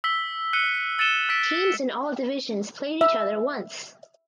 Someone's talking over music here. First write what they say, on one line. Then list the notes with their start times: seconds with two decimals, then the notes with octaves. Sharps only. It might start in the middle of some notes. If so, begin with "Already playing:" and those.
Teams in all divisions played each other once.
0.04 E6 B6 G7
0.53 F#6 C#7 D#7 G7
0.99 E6 A6 C#7 D#7 E7 G7
1.29 E6 F#6 B6 D7
3.01 E5